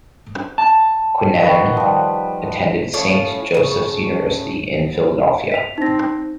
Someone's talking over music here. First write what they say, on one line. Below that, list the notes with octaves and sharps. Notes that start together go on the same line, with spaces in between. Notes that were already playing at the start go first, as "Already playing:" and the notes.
Queenan attended Saint Joseph's University in Philadelphia.
A5
D#3 F#4 B4
F3 G3
A2 F3 C#4 E4
C#3 A3
B6 F7
C4 D#4 A#6